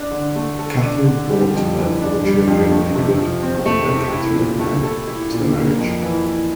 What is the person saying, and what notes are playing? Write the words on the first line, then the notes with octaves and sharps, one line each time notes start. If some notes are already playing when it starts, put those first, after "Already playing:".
Katherine brought her four children Edward, Arthur, Katherine and Ann to the marriage.
Already playing: D4
D3
A3
A4
D4
D3
G3
F2
E3
D4
G3
F2
A3
C3
F3
C4
A3
C3
E4
A#2
A3
A4
E4
A#2
A#3
F2
E3
E4